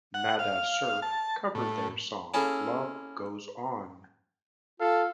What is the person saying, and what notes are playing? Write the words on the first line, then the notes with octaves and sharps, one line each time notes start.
Nada Surf covered their song Love Goes On!
F#5
F5
A5
A2
A#3 C#4 E4 G#4 A4
F4 A4 F5